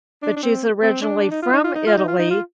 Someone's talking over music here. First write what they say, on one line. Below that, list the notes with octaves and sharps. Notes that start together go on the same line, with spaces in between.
but she's originally from Italy,
D4
D4
C4
C4
D4
D#4
F4
D#4
F4
D#4
F4
D#4
F4
D#4
F4